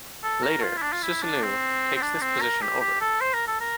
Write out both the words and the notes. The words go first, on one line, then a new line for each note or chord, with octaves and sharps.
Later Susanoo takes this position over.
A4
A#4
F4
E4
D4
F4
E4
D4
C4
C4
D4
C4
A#4
G4
G4
A4
C5
A#4
A4
A#4